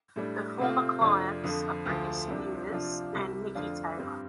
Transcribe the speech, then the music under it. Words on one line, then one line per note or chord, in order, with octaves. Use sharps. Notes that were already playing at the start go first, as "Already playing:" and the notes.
Her former clients are Britney Spears and Niki Taylor.
A2 G3 D4
C3 A3 C4 F4
F2 C3 A3 D4 F4
F2 D3 F3
D2 D3 F3
C2 C3 F3 D4
C3 F3 D4 F4
C2 C3 G3
F2 D3 A3 D4 F4
G2 G3 C4